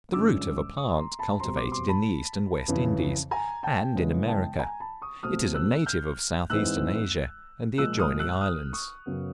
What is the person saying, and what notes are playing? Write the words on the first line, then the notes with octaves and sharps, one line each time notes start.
The root of a plant cultivated in the East and West Indies, and in America; it is a native of South-eastern Asia and the adjoining islands.
G2 D3 F3 G#3 C#4 D6 E6
C#6 D#6
A#5 C6
A5 B5
B2 G3 C4 A#5 C6
C6 D6
C6 D6
A5 B5
F2 C#3 E3
G#5 A#5
G5 A5
C#3 E3 G#3 B3
G5 A5
G#5 A#5
A5 B5
C#6 D#6
B2 F#3 A3 C4 D#6 F6
E6 F#6
F6 G6
G#2 E3 G#3 C4 E6 F#6
A#2 F3 G#3 E6 F#6
D#6 F6
E6 F#6
D#6 F6
C#6 D#6
F#2 C#3 F#3 B3